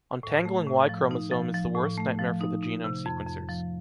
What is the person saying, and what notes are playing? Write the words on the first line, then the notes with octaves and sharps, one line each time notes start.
Untangling Y-chromosome is the worst nightmare for the genome sequencers.
A2
A3
A2
F3
D#4
F3
F3
A2
A3
F3
D#4
D#4
C3
F2
F2
F3